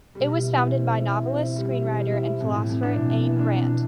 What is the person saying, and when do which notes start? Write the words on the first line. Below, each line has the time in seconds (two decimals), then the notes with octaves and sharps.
It was founded by novelist, screenwriter, and philosopher Ayn Rand.
0.15 B2 G3
0.28 G3
0.42 E4
0.57 E3
0.71 C4
0.85 C4
0.99 E4
1.14 E4
1.27 B2 C4
1.42 E4
1.56 G3
1.70 E4
1.84 E3
1.98 G3
2.12 E4
2.27 E4
2.40 F2 A2
2.55 E3
2.69 F2
2.83 D4
2.97 B2 E3
3.11 F2
3.25 E3
3.39 D4
3.53 F2
3.68 D4